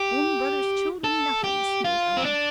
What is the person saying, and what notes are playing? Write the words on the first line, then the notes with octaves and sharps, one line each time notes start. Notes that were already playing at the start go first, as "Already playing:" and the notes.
"Own brother's children, nothing!" sneered Ellen.
Already playing: G4
A4
G4
F4
C4
D4